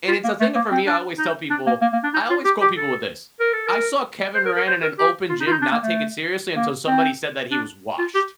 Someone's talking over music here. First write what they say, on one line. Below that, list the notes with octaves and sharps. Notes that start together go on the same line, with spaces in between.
And it's a thing uh, for me I always tell people I always quote people with this, "I saw Kevin Durant in an open gym not take it seriously until somebody said that he was washed."
F4
A#3
A3
A#3
C4
D4
D#4
D4
A#3
A#3
A#3
D4
D#4
F4
G4
G4
A4
A#4
A4
A#4
C5
A#4
A#4
C5
A#4
G4
F4
D#4
F4
D#4
D4
A#3
A3
A#3
C4
D4
F4
G4